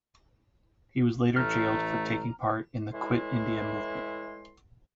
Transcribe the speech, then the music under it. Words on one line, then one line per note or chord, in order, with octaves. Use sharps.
He was later jailed for taking part in the Quit India Movement.
A1 A3 A#5 F6
A2 E3 G#3 E4 C6